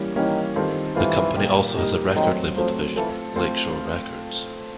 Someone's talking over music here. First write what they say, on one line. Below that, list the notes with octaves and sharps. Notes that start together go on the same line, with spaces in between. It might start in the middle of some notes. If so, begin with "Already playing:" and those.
The company also has a record label division, Lakeshore Records.
Already playing: E3 G3 A#3 C#4
D#3 E3 G3 A#3 C#4
D#3 G3 C4 F4 A4
D#3 E3 G3 C4 F4 A4
A#2 G3 A#3 D#4 G4
A#2 G3 A#3 D#4 G4
D#3 F#3 A3 C4
F3 F#3 A3 C4
E3 A3 C4 F4 A4
A3 C4 F4 A4